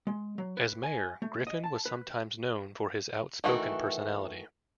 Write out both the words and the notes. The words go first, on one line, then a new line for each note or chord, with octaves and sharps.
As Mayor, Griffin was sometimes known for his outspoken personality.
G#3
F#3
B4
G#5
A3
D#5
A5
B4
D#3 E3 A3 F#4 B5